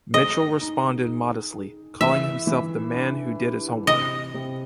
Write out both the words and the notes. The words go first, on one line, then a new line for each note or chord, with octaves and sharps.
Mitchell responded modestly, calling himself the man who did his homework.
G#4 D#5
D#4
D#4
G#4
E3 E5
E3
D4
G4
C3 D#5
C3